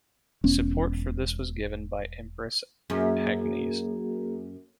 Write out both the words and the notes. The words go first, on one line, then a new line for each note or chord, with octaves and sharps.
Support for this was given by Empress Agnes.
E1 B3 C#4
F#2 A#3 G#4